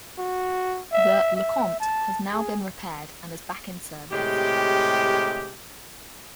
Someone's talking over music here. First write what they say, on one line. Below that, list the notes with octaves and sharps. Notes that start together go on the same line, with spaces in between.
The "LeConte" has now been repaired and is back in service.
F#4
E5
E5
A5
G#4
A2 C3 G#3 G4